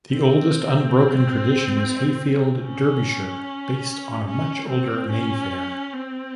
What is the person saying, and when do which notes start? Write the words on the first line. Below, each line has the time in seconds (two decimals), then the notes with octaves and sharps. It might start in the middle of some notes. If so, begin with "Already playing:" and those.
The oldest unbroken tradition is Hayfield, Derbyshire based on a much older May Fair.
0.13 C4
2.62 C#4
4.28 C#4
4.69 C4
5.11 C#4
5.94 C4